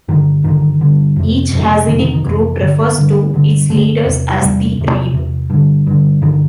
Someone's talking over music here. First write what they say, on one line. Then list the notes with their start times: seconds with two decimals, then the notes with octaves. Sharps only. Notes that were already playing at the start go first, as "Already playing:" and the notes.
Each Hasidic group refers to its leader as "the rebbe".
0.08 G2 D3 D#3
0.44 G2 D3 D#3
0.81 G2 D3
1.16 F2 C3
1.52 F2 C3
1.89 F2 C3 D#3
2.02 D#3
2.14 D#3
2.25 F2 C3 E3
2.61 G2 D3
2.98 G2 D3
3.34 G2 D3
3.69 G2 D3 A3
4.06 E2 C3
4.41 E2 C3 G3
4.77 E2 C3
5.14 E2 C3
5.50 G2 D3
5.87 G2 D3
6.22 G2 D3 D#3